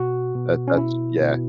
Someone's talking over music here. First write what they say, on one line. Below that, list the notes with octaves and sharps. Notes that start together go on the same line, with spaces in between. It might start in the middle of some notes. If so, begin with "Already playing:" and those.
That that's yeah.
Already playing: B2 F#4
B2
C#4
B2 E4
B2